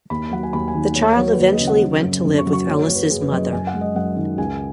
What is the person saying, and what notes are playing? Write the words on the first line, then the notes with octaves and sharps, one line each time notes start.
The child eventually went to live with Ellis's mother.
D#2 B5
F#3 F#5
G#5
D#2 B5
G#5
D#3
D#2 C#5
F#3 C#5
B4
D#2 C#5
D#5
C#3
F#5
F#3
F#2
F#2
C#6
F#3
C#6
F#1 C#5
F#3
B4
F#1 G#4
B4
F#2 D#5
F#2 G#5
F#5
G#3
D#5
F#2 F#5
D#3
C#2 G#5